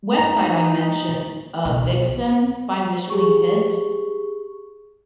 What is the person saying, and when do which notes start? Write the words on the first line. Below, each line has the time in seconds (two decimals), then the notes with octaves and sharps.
website I mentioned, uh, Vixen by Micheline Pitt,
0.19 D#4 A#5
1.65 B1
3.10 G4 G#4 C#6